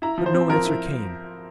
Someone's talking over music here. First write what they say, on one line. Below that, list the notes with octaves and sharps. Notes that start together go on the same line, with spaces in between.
But no answer came.
E4 A#5
F3
C5
C4
F3 A#4
E4